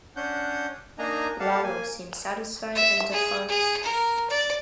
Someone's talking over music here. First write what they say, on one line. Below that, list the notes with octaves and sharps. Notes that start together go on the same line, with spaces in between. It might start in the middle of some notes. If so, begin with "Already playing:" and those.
Lalo seems satisfied and departs.
C#4 D4 F#5 G6
A#3 D4 D#4 D#5 G#5 A#5
G4 A4 F5 F#5 A5
A#3 G#5
E5
G#4
G#4
A#4
D5